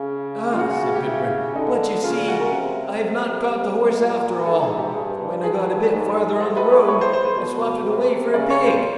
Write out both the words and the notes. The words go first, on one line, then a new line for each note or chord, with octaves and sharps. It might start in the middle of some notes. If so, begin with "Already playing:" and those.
'Ah!' said Gudbrand, 'but you see I've not got the horse after all; for when I got a bit farther on the road, I swopped it away for a pig.'
Already playing: C#3
F4
C#3 F#4
F#4
F#4
G4
E4
D3 D#4
C#3 F4
F4
F#4
A#4
C3 A#4
C3
A#2
G#2 A4
G#4
G4
G2 G#4
G#4
G#2
A2 A4
B4
C#5
C#5
C5
C5
B4
B2
C3
C#3 D5
C#5
C5